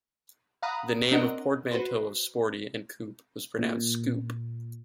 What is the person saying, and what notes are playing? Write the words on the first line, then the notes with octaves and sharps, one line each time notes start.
The name, a portmanteau of "sporty" and "coupe," was pronounced "scoop".
F5 F#5 A#5 B5 D#6
C4 D4 A#4 D#5 F#5
F#4 B4 C5
A#2